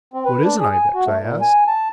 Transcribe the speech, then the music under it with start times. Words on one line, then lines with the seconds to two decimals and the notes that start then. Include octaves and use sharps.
"What is an ibex?" I asked.
0.14 C4
0.25 B4
0.44 D4
0.59 G#4
0.72 G#5
0.94 F#4
1.06 A3
1.21 A#2
1.41 G#5
1.67 A5